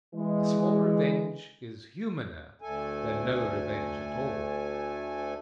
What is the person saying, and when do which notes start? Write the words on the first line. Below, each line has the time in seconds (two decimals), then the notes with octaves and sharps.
A small revenge is humaner than no revenge at all.
0.14 E3 G#3
2.62 D2 A3 A4 G#5